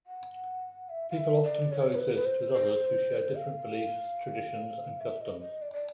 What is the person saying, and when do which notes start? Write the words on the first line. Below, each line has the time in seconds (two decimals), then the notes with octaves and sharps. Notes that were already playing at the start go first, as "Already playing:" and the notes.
People often coexist with others who share different beliefs, traditions and customs.
0.07 F#5
0.89 E5
1.10 F5
1.17 E5
1.43 D5
1.72 C#5
1.95 A#4
1.98 B4
2.15 B4
2.25 C5
2.53 C5
3.35 F5
4.99 E5
5.21 D#5
5.40 D#5
5.62 D5
5.73 D5